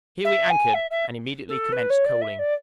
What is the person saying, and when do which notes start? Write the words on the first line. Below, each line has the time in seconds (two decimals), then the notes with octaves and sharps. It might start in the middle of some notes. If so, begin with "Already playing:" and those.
Here we anchored, and immediately commenced coaling.
0.24 E5
0.50 G#5
0.74 E5
0.90 E5
1.48 A4
1.72 B4
1.89 C#5
2.05 D5
2.21 E5
2.38 D5